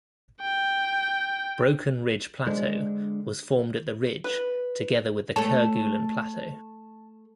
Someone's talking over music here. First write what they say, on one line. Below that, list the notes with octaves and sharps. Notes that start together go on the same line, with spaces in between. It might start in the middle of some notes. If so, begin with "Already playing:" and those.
Broken Ridge Plateau was formed at the ridge together with the Kerguelen Plateau.
G5
D3 G#3 D4 C5
B4
A3 A4 C#5 A5